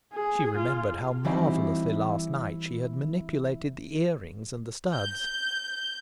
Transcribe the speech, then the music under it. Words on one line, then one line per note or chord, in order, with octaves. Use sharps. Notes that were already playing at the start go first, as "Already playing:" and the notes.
She remembered how marvellously last night she had manipulated the ear-rings and the studs.
G#4
F4
E3 G3 C4 D#4 E4 F#4
G6